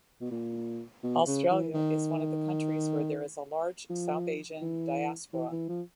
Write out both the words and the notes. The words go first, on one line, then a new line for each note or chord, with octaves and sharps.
Australia is one of the countries where there is a large South Asian Diaspora.
B2
A#2
B2
C#3
E3
D#3
F3
E3
E3
E3
F3